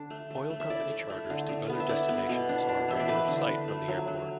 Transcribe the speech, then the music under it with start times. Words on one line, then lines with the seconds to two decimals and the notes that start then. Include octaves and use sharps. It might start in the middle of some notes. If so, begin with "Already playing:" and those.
Oil company charters to other destinations are a regular sight from the airport.
Already playing: D3 D4
0.10 A3
0.31 A3
0.50 A3
0.60 E5
0.70 E4 D5
0.90 A3
1.10 A3
1.30 D3
1.49 D3
1.70 B3
1.80 E5
1.89 E4 D5
2.09 B3
2.29 B2
2.49 D4
2.69 D4
2.88 E3 E5
3.00 D5
3.08 A3 B4
3.28 D3
3.48 D4
3.68 A3
3.88 F#3
4.08 F#3